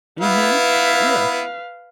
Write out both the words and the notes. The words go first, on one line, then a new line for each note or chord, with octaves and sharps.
Mhm, yeah.
B3 E4 B4 F5